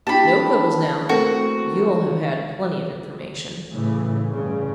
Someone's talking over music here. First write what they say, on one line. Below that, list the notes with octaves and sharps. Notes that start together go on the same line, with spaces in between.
"No quibbles, now!--you'll have had plenty of information."
A#3 D4 E4 G4 A5 B5
A3 C4 F#4 A#4
A2 C#3 E3
G2 C#3